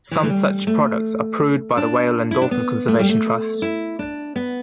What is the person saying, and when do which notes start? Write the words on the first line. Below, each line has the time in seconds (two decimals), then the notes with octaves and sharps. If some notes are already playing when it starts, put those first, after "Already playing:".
Some such products are approved by the Whale and Dolphin Conservation Trust.
0.11 E3
0.23 A3
0.30 G3
0.67 A3
1.77 D4
2.31 E4
2.41 D4
2.51 B3
2.88 A3
2.99 G3
3.09 A3
3.62 E4
3.99 D4
4.36 B3